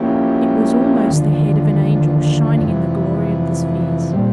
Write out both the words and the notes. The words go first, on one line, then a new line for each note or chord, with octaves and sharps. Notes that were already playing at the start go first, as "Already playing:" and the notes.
It was almost the head of an angel shining in the glory of the spheres.
Already playing: F3 A#3 C#4 E4 G4
D#2 D3 F3
F2 C3 E3
A#2 G3 C4